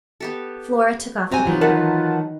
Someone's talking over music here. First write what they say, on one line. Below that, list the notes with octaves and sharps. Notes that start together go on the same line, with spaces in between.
Flora took off the paper.
B3 G4 A4
C3 C4 F#4 G#5 A#5
E3 F#3 D#4 F4
D#3 A#4 B4 F#5 A5